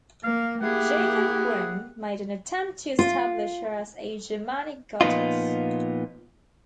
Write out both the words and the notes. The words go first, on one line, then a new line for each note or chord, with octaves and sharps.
Jacob Grimm made an attempt to establish her as a Germanic goddess.
A#3 F5
A#3 E4 G4 G#4 F#5
F4
A#2 F3 B3 D#4 F4